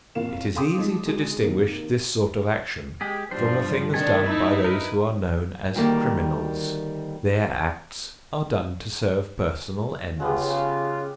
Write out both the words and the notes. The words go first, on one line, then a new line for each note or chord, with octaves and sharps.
It is easy to distinguish this sort of action from the things done by those who are known as criminals. Their acts are done to serve personal ends.
F1 A2 A#3 F4 F5 E7
A4 F5 G5 C6 D6 D#6
F3 G#3 D#4
G#3 D#4 F#4 G#4
C3 D#3 A#3
G#3 G4 G#4
G2 F3 G3 D4 C5
C3 D#3 A3 D4 A4 G#5
D#4 E4
A#4 B4
D2 D#3 G3 A#3
C#3 G#3 B3 F4 G4